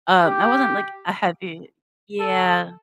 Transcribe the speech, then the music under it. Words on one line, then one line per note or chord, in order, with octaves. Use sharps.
um, I wasn't, like, a heavy yeah.
G4
A4